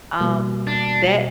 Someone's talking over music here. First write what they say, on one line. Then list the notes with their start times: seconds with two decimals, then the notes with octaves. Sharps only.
um, that
0.20 B2 G3 A#3
0.67 D4
1.14 B2